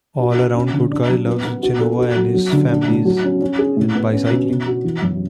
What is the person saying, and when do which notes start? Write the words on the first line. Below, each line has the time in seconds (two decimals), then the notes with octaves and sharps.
An all around good guy, loves Jehovah, his family and bicycling.
0.20 F#4
0.38 F#4
0.56 C#4
0.73 D3
0.91 D4
1.09 F#3
1.27 B3
1.45 B3
1.63 F#4
1.81 A4
1.98 F#4
2.16 F#3
2.34 F#3
2.53 D3
2.70 D4
2.88 A2
3.05 F#3
3.24 C#4
3.42 C#4
3.59 G#4
3.77 A2
3.95 B3
4.13 C#4
4.30 B2
4.49 B2
4.66 F#4
4.84 E3
5.02 F#2